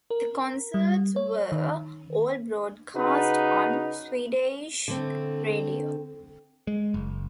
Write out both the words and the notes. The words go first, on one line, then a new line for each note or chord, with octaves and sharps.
The concerts were all broadcast on Swedish radio.
A#4
G3
C#5
D#3
C#3 D#4 F#4 B4
D3 A3 C4
G#3
F#1